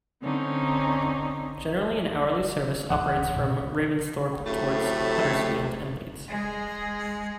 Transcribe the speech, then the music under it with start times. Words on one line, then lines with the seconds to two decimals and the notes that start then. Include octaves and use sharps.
Generally an hourly service operates from Ravensthorpe towards Huddersfield and Leeds.
0.23 D3 C4 C#4 D#4
2.90 C#2 G#2 E3 F#5
3.36 B2
4.45 A2 C3 F#3 A3
6.28 G#3 G#4